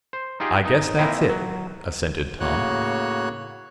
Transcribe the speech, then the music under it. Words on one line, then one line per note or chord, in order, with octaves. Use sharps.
"I guess that's it," assented Tom.
C5
D#4 F4 G4 G#4
D#4
E3 A#3 C4 D#4 E4 A#4
F#3
A2 C#3 A#3 F#4 C#5 F#6